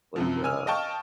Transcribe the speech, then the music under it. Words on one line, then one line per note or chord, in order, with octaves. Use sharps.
Like, uh,
F#2 C3 F3
G#5 E6 F6
D#5 F5 G5 A5 C#6